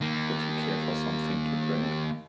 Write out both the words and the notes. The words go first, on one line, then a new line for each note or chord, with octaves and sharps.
Would you care for something to drink?
D#3 A#3